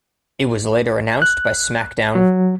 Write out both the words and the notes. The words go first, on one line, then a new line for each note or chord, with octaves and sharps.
It was later announced by SmackDown!
F#6
F#3